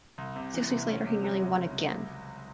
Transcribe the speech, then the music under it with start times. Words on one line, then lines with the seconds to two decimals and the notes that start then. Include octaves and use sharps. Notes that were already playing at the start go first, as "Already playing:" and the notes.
Six weeks later he nearly won again.
0.18 C2
0.36 C3
0.54 E3
0.71 C2
0.88 C#4
1.06 C3
1.24 F#3
1.42 C#2